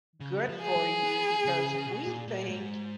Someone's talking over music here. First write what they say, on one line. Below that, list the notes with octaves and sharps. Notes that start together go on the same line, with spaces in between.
good for you because we think
C#3
F#3
F3
G#4
F#3
B3
C#3
C#3
B2
A#2
A#2
G#2